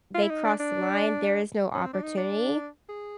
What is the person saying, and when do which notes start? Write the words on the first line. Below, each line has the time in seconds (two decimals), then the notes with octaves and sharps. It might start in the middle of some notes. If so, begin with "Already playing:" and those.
they crossed the line, there is no opportunity,
0.15 F4
0.22 E4
0.30 D#4
0.45 D4
0.60 D4
1.75 C#4
1.84 C4
1.93 D4
2.03 D#4
2.17 D4
2.89 G#4